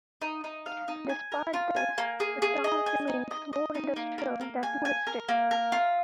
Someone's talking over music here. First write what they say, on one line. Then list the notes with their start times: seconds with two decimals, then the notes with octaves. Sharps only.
Despite this, the town remains more industrial than touristic.
0.22 D#4
0.44 D#4
0.66 F5
0.88 D#4
1.09 G#5
1.32 A#4
1.53 F4
1.76 G#5
1.98 A#3
2.20 G#4
2.42 G#4
2.64 D#5
2.86 G#5
3.08 D#4
3.31 D#5
3.53 D#5
3.75 D#4
3.96 A#3
4.18 A#3
4.41 A#3
4.63 G#5
4.85 G#5
5.07 A#4
5.29 A#3
5.51 A#4
5.72 F4